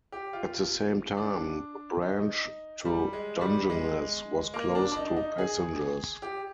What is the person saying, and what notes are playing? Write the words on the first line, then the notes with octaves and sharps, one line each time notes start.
At the same time, the branch to Dungeness was closed to passengers.
G4
F4
D4
D#4
G3
G#3
G3
G#3
A#3
D4
D4
D#4
D#4
G#4
G4